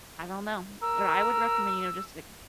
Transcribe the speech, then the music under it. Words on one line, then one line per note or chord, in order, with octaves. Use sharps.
I don't know. What I would recommend, you know, just the, like,
A#4 E6